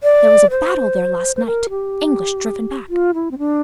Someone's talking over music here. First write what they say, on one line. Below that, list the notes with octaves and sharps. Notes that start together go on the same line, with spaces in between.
There was a battle there last night--English driven back.
D5
C5
C5
A#4
G4
F4
E4
C4
D4